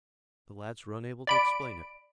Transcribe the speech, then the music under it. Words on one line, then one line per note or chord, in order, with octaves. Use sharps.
The lads were unable to explain it.
D5 B5 D7